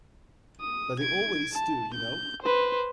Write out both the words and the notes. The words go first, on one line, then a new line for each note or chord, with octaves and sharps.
But they always do, you know.
D#6
G#6 D7
A5
G6
B4 C5